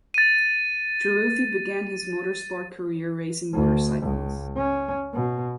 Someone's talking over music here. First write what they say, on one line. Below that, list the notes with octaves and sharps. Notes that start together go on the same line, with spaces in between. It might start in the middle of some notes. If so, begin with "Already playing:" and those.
Taruffi began his motorsport career racing motorcycles.
A6 D#7
D2
C#2
C#4
B2